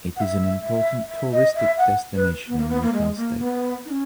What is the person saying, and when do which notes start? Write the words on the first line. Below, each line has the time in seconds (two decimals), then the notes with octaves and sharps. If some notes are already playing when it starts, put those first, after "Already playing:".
It is an important touristic destination in Utah State.
0.16 F#5
0.21 E5
0.62 E5
1.09 E5
1.32 D#5
1.55 E5
1.78 F#5
2.16 B4
2.47 B3
2.58 A#3
2.69 B3
2.82 A#3
2.93 G#3
3.17 A#3
3.39 B3
3.85 D#4
3.90 C#4